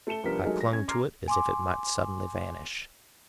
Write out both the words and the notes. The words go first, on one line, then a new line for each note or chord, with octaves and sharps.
I clung to it as if it might suddenly vanish.
A3 A5 C#7 E7 G7
C2 F3 B3 D4 A#4 B6
F#3 G#3 A3 D#4 G#4 A#4
A#6
C#4 G#6
A#5 C6 D6 F6 G#6 C7
G#5 C6 D6